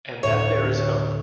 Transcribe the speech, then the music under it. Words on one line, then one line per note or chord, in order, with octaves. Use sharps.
And that there is hope.
D2 A2 C4 C#5